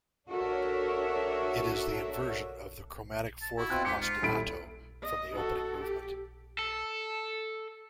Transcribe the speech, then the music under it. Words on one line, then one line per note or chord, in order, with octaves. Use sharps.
It is the inversion of the chromatic fourth ostinato from the opening movement.
D4 F#4 A4 A#4 C#5 E5
A5
E4 F#4
B2 C4 F4 F#6
G#2 G4 B6 C#7
F4
D#1 E4 B6 D7
D#5
F#4 A4
G4
A4